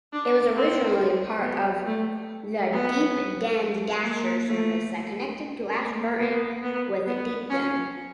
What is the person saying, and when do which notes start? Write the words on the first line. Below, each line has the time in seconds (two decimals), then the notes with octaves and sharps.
It was originally part of the "Deepdene Dasher" service that connected Ashburton with Deepdene.
0.12 D4
0.55 C4
1.42 B3
1.86 A3
2.72 B3
4.03 A#3
4.46 A3
5.76 A#3
6.20 B3
6.63 B3
7.06 B3
7.50 C#4